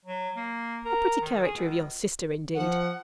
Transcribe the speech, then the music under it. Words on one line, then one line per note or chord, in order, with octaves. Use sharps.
'A pretty character of your sister, indeed!
F#3
A#3
A#4
D#3
G#4
C#2
F3 F#5